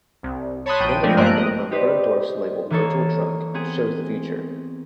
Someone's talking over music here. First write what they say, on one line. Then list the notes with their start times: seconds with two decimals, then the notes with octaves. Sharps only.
Linda Fargo of Bergdorf's labeled virtual trunk shows the future.
0.23 C2
0.66 C#5 A5 B5 C6 D#6 F#6
0.80 A#1 G5 D#7
1.03 F3 G#3 A3 C4 D4
1.17 G2 A3 A#3 A#4 F#6 D7
1.37 D#5
1.71 D#4 G4 B4 C5 D5
2.70 E3 A#3 D#4 A4 C#5
3.54 B3 C4 G#4